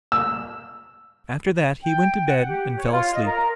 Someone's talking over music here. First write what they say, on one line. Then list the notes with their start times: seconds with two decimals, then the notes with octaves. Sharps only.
After that he went to bed and fell asleep.
0.12 E6
1.83 G5
2.25 F#5
2.48 G4
2.75 C#5
2.90 F4
3.13 D#5
3.25 A#4